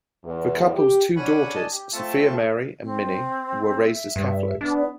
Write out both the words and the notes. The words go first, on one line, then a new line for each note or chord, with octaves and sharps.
The couple's two daughters, Sophia Mary and Minnie, were raised as Catholics.
E2
G4
C#4 D4 F#5 G#5 B5 C#6
D4 D#5 G#5 A5
G4
A3 C4 F4 E5 A5 C#6
C4
E5
G2
B3 D4